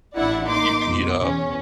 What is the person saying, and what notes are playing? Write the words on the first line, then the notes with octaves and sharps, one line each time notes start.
you can heat up.
A1 D4 E4 D5 F#5
A#3 D#4 C6 D6
F2 B2
E2 C#4